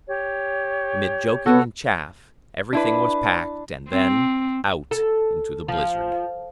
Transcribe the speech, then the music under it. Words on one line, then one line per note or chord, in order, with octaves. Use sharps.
Amid joking and chaff, everything was packed, and then -- out into the blizzard.
G4 C#5
B3 F#4 A4
D4 E4 B4
C4
A4
F3